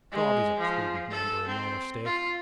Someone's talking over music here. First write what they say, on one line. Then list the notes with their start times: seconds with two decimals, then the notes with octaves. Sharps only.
Gob, he's a prudent member and no mistake.
0.12 G#3
0.59 F3
1.11 A4
1.47 C4
2.05 F4